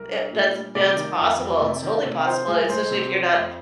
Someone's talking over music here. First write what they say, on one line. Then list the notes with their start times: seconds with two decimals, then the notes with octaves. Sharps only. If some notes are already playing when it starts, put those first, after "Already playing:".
It that's that's possible it's totally possible, especially if you're not,
Already playing: C2 A#4
0.09 D4
0.31 A#2
0.53 G3
0.75 C3 D5
0.96 D#3
1.17 F2
1.39 F2
1.61 C3
1.83 D#3
2.05 C3
2.26 F3 C5
2.47 C2 G#4
2.69 C2 C5
2.91 C3
3.12 F3
3.34 F2